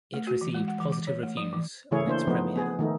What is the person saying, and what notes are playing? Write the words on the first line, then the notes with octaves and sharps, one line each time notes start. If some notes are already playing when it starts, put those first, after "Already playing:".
It received positive reviews on its premiere.
A3
F#4
E3
G#3
F#5
E3
D6
C#5
A3
F3
E3
C#3 E3 A3 E4 G#4 C#5
A#3 D4 E4 C5
F3 A3 B3 D#4
B3 G#4
D#3 A3 D#4